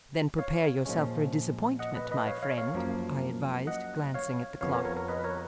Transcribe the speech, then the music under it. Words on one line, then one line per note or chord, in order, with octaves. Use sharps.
"Then prepare yourself for a disappointment, my friend," I advised, glancing at the clock.
C#5 F5
A#2 F3 G#3 C#4
D#5 F#5
B4 D#5
B4 D#5
C#5 F5
C#5 F5
C#5 F5
F#2 F3 A#3
D#5 F#5
C#5 F5
F2 F3 B3 C#5 F5
A#4 C#5
A#4 C#5
A#4 C#5
B4 D#5
B4
A#4 C#5